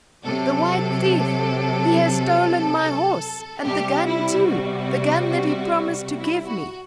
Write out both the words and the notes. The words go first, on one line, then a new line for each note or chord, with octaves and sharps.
"The white thief, he has stolen my horse, and the gun too, the gun that he promised to give me."
C3 F#3 A4
C3 G3 G4
E4
F#4
E4
F#4